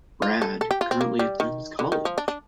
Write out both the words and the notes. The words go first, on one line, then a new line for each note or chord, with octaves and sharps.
Brad currently attends college.
F4
A4
A4
G4
F4
C4
A#3
G3
D#3
D3
D#3
F3
D4
D4